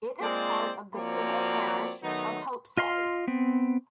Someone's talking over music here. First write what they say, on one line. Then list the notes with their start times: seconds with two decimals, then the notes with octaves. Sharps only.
It is part of the civil parish of Hopesay.
0.21 G#3 A#3 C4 F4 C5 D5
0.96 F3 A#3 C4 F#4 C#5 D5
2.03 D#3 F#3 A3 B3 D#4
2.77 F4 D#5 F5 C6
3.28 B3 C4